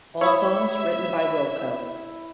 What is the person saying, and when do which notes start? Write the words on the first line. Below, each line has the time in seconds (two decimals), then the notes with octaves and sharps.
All songs written by Wilco.
0.21 E4 C#5 E5 B5 C#6 D#6